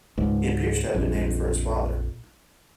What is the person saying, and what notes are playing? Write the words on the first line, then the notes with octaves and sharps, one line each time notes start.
He appears to have been named for his father.
C#2 G#2
A#1 F2